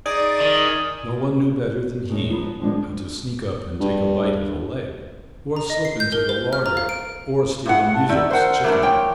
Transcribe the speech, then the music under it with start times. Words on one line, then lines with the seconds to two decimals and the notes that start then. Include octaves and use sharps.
No one knew better than he how to sneak up and take a bite at a leg, or slip into the larder or steal a muzhik's chicken.
0.06 D#4 G#4 D5
0.40 D#3
2.10 A#2 D3 G#3 D4 D#4 C#5
2.30 F3 F#3 D#4 F4 B4
2.60 D3 D#3 F3 G#3 B3 D4
3.80 G2
5.56 A#5
5.70 D#5
5.85 C7
6.00 G6
6.12 A#4
6.29 C5
6.53 F6
6.66 A#5
6.77 F5
6.89 D7
7.66 G2 E4 F#5
7.94 A5
8.09 D#3 E4 D5
8.31 A#4 C5 F#5
8.64 E3 A3 D4 A#4
8.82 F3 C#5 G5